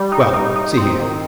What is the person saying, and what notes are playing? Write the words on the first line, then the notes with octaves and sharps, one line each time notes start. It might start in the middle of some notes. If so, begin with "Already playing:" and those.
Well, see here.
Already playing: G3
D#4
D#4
D#4
C4
D#3